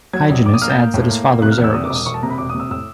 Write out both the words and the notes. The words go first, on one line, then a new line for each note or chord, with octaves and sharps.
Hyginus adds that his father was Erebus.
F#3 G#6
A#1
A#1 D6
D#6
A#3 F6
G6
A#3
A2
A#3
A#3
C3 F#6
F6
E2
E6
C3 D#6
D6
E1
D#6
E1 C#6
A5
C3 A#5
B5
E1 D6
D#6
C3
E6
A2 E6